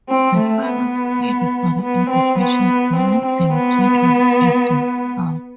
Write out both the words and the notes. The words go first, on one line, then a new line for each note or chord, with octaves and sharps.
The fathers paid for the education denied their children in the South.
C4
A3
B3
B3
C4
B3
C4
C4
B3